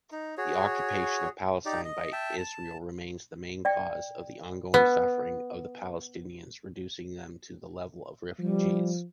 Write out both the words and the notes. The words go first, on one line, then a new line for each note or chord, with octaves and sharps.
The occupation of Palestine by Israel remains the main cause of the ongoing suffering of the Palestinians, reducing them to the level of refugees.
D#4
F#4 G#4 C#5
D#4 G4 D5
D#5
E5 G5 A5
A5
D5 G5
B3 B4
F3 G3